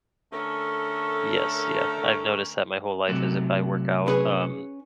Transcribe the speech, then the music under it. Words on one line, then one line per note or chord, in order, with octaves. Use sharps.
Yes, yeah, I've noticed that my whole life is if I work out, um,
D3 A3 C#4 A4 A#4
C3 F#3 A3
C#4 G#4 B4